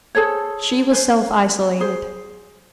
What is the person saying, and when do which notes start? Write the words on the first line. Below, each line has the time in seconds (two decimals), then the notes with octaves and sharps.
She was self-isolated.
0.15 G#4 A4 C5 C#5
0.91 C#4 B4 C5
1.80 G#4 C5